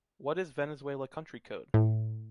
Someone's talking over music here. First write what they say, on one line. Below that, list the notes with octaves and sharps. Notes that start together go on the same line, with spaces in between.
What is Venezuela country code?
A2